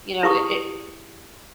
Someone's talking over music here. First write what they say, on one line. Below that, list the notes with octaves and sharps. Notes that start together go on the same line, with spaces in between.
you know? I it
E4 G4 G#4 C#6 D#6